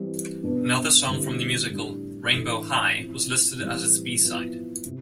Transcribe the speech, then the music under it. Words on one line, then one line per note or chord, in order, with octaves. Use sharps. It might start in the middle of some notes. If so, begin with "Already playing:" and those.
Another song from the musical, "Rainbow High", was listed as its B-side.
Already playing: E3 G3 C4
B2 B3 D4
D3 G3 C4 E4
A2 G3 D4
A2 E3 A3 D4
F3 C4 E4
A2 E3 G3 C4
F3 B3 E4
C3